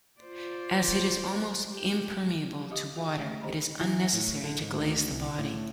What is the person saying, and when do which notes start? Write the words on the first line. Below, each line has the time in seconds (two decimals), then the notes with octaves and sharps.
As it is almost impermeable to water, it is unnecessary to glaze the body.
0.21 F4 C5 D5
1.70 G4
2.71 G4 D#5 F5 D6 D#6
2.96 F4 G#4 E5 F5
3.16 D3 G#3 A3
3.42 G4 C5 D#5 A#5 B5
3.81 E3
4.13 A2
4.44 D3
4.62 G#2
4.80 D2
5.12 C2
5.39 A2